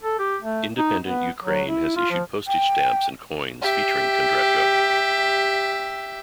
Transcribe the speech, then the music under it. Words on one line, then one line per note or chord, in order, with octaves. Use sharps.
Independent Ukraine has issued postage stamps and coins featuring Kondratyuk.
A4
G4
A3
D#4
B3
F#3
E4
F4
F3
G5
G4 E5